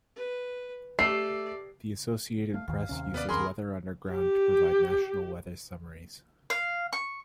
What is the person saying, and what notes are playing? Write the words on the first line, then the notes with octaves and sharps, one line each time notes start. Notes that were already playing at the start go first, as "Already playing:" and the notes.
The Associated Press uses Weather Underground to provide national weather summaries.
B4
A3 G4 D5 C7
A3 F5
D#2 D#3 F5
D#2 C3 C#4
B3 B4 D5
D#2 C4 C#4 G#4 A#4 B5 C6
G4
F5
C#6